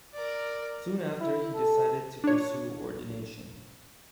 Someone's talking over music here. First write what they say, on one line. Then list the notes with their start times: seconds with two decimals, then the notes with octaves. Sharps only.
Soon after, he decided to pursue ordination.
0.14 A#4 D5
1.20 E4
1.54 A4
2.24 D4 C#5